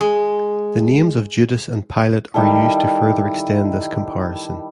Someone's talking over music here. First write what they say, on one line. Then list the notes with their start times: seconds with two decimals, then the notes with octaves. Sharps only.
The names of Judas and Pilate are used to further extend this comparison.
0.01 G#3
2.34 D#3 G3 E4 A4